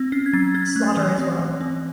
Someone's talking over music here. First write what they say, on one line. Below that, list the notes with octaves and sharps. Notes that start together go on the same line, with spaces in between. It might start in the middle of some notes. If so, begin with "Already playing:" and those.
Slaughter as well.
Already playing: C4
C#4 C7
G#6
F#3 A6
C#4 G#6
A3 F#6
E3
C4
E3
C4